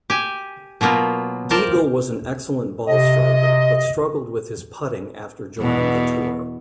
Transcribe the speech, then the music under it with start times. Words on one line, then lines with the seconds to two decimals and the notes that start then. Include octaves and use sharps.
Diegel was an excellent ball-striker, but struggled with his putting after joining the tour.
0.10 G4 G#5
0.81 B2 F#3 A#3 B3 F4
1.50 A#4 C5 D5 F5 G5 A5
2.87 C3 D#5
5.59 E2 B2